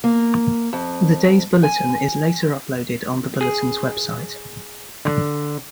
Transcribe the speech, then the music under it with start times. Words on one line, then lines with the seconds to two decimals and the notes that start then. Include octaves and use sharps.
The day's bulletin is later uploaded on the bulletin's website.
0.04 A#3
0.73 F2
1.63 G#5
3.41 G#4
5.05 D3